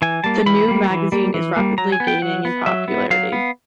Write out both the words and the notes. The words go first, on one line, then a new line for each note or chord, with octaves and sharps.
The new magazine is rapidly gaining in popularity.
E3 G#5
G3 A#3 A5
E3 B5
G3 A#3
E3
G3 A#3
E3
G3 A#3
F#3 A#5
G#5
B3
G5
F#3 F#5
B3
F#3 E5
B3
F#3 F5
B3